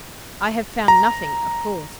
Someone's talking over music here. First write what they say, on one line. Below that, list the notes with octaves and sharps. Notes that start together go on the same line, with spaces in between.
I have found nothing, of course.
A#5